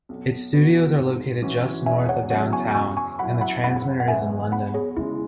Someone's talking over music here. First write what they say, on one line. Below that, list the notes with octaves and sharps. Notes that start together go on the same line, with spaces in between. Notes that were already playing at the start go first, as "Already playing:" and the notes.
Its studios are located just north of downtown, and the transmitter is in London.
B1
B2 B3 F#4
G#2
E3 C#4 F#4
E1 E5 G#5
C#5 F#5
E2 C#3 F#3 E4 C#5 F#5
G#5 C#6
F#2 G#5 C#6
G#5 C#6
F#3 E4 F#5 B5
F#5 B5
F#1 F#5 B5
F#5
E2 B2 B3 E5 G#5
E2 F#5 B5
G#4 C#5
C#3 G#3 E4